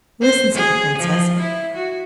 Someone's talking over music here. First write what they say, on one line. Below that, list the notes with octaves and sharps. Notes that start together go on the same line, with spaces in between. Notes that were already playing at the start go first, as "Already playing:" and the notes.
'Listen!' said the Princess.
C5
G#4
F3
E4
F#4